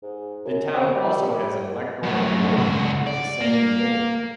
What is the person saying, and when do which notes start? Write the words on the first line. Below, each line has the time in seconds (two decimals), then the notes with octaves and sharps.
The town also has an electoral ward with the same name.
0.02 G#2
0.45 F#2
0.74 C4
0.94 G3
1.30 G3
2.03 F#2 A2
2.56 C#2 F#4
3.06 D5
3.41 A#3